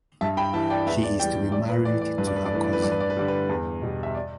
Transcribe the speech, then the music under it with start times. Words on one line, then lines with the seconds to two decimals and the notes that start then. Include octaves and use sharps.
She is to be married to her cousin.
0.21 G2 E5 A5
0.37 G5 B5
0.53 E3 G3 E5 A5
0.70 D5 G5
0.87 E2 B4 E5
1.03 D5
1.19 E3 G3 D5 G5
1.52 A2 D5
1.69 B4
1.85 E3 A3 D5
2.01 D5
2.18 G2 B4
2.27 D5
2.36 B4
2.46 D5
2.51 E3 A3 B4
2.64 D5
2.73 B4
2.82 G2 D5
2.91 B4
3.00 D5
3.10 B4
3.17 D3 G3 D5
3.28 B4
3.49 E2
3.82 B2 G3
4.03 E5
4.15 D5